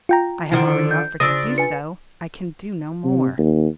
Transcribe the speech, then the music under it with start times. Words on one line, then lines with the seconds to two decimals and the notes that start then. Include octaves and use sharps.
I have already offered to do so--I can do no more.
0.09 F4 G5 A#5
0.52 D3 D#3 F3 E4
0.91 G6
1.20 C#3 F3 D4 D#6 E6 A#6
1.58 B4 G#5 C#7
3.04 C3
3.38 D#2